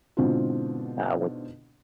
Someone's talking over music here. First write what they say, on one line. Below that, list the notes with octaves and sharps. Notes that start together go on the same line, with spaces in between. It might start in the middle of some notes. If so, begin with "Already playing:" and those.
uh, when
G#2 B2 D3 C4 E4 F4